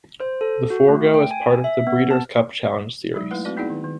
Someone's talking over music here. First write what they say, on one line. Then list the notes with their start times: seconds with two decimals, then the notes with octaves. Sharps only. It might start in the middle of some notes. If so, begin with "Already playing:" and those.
The Forego is part of the Breeders' Cup Challenge series.
0.20 C5
0.41 A4
0.70 F#4
0.88 A3
1.14 G5
1.31 G#5
1.64 E5
1.87 B3
2.11 A5
3.15 F#3 G#3 D#4
3.31 A3 A#3 E4 B4 F#5
3.45 A3 C4 F#4 B4 D5
3.57 B3 D#4 E4 G#4 D5 F#5
3.70 D#3
3.84 D#3